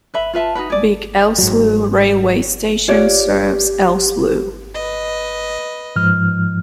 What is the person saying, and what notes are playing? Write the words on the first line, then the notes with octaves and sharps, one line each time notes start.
Beek-Elsloo railway station serves Elsloo.
B4 E5 B5
F4 B4 E5 A5
D#4 F4 F#4 B4
G#4 D5
G#2 F#3
F4 G4 C#5 D5
B4 D#5
G#2 F3 F6